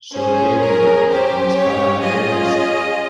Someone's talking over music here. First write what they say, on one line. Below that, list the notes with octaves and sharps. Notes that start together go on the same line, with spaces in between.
So we gave them one, and it's caught on very nicely.
C#4 G#4 C5
A#4
C#4 G4 C5
C#5
C#4 F4 G#4 D#5